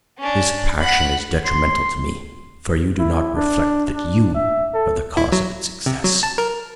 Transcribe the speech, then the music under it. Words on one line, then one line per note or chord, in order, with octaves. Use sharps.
This passion is detrimental to me, for you do not reflect that YOU are the cause of its excess.
C#4 D4
F#5 B5
C6
E4
D4
D4
E5
A4
E4
F#3
C3
F#3
A5
A#4